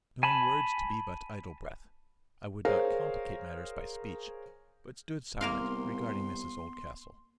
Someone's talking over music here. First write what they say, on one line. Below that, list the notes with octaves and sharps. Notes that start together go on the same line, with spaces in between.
Knowing words to be but idle breath, I would not complicate matters by speech, but stood silent, regarding Mrs Oldcastle.
G#5 A5 B5
G#4 A#4 C5 C#5 F5
C2 A#3 B3 A#4 F5 C6